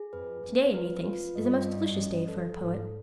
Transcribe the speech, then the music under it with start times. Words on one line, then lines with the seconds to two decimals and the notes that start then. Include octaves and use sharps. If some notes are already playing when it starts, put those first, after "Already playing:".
Today, methinks, is a most delicious day for a poet.
Already playing: G#4
0.13 F2 B4
0.44 F2 B4
0.74 B4
1.05 F4
1.36 G2 D#5
1.66 D#5
1.97 C#4
2.28 A4
2.59 G#2 A4